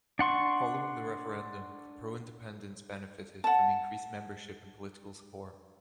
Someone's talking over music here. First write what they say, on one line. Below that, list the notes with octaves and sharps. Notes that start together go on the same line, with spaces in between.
Following the referendum, the pro-independence benefitted from increased membership and political support.
D4 F#5 C6 C#6
F#5 A5